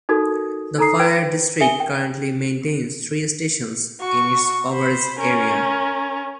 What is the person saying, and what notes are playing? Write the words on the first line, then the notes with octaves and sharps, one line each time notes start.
The fire district currently maintains three stations in its coverage area.
D#4 F#4 A4 A#4 D#6 G#6
D#4 A4 A#5 D#6 C7
B4 C5 G5 G#6 D7
A#4 E5 G#5 C#7 G7
G5
F#4 C#6
C5 B5
C#4 A#4